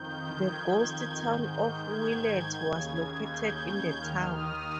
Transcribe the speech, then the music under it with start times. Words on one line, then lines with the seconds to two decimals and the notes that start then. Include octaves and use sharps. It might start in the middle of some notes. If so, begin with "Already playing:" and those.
The ghost town of Willet was located in the town.
Already playing: F2 D#3 G6
0.48 G#6
1.18 G#2 D#3 G6
1.54 G6
1.89 G#6
2.59 D#2 C#3
3.29 G6
3.99 D#2 D#3 F6
4.35 D#6